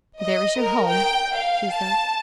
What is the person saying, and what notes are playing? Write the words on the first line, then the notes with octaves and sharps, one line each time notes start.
"There is your home," she said.
D#5
A#4
G5
F5
A5